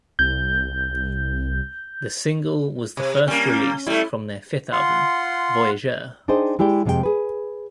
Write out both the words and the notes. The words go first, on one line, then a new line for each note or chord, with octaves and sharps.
The single was the first released from their fifth album, "Voyageur".
C2 G6
C3
G3 A#3 C#4 G7
G3 A3 E4
F4 F#5 C6
D4 D#4 G#4 C5 D#5 G5
G#3 E4 G4 D5 G5
F2 C3 G#3 F#4 G5
G#4 B4